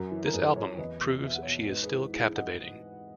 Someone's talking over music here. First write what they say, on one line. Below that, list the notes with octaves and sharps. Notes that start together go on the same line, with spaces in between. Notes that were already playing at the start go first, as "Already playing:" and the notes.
This album, proves she is still captivating.
Already playing: F#2 F#4 A#4
E3
A#4
F#2 G#4 B4
E3 A#4 C#5
E2 B4 D#5
B2
E2 E5
F#5
B2 C#5 E5
G#2 B4 D#5
G#4 B4
E3
G#2 E4 G#4
E3 D#5 F#5